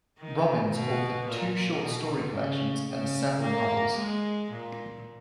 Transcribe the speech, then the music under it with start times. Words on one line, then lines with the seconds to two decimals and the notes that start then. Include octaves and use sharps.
Robbins authored two short story collections and several novels.
0.19 D#3
0.73 B2
1.27 A#2
1.81 B2
2.35 C#3
2.89 C#3
3.43 A#3
3.97 G#3
4.52 A#2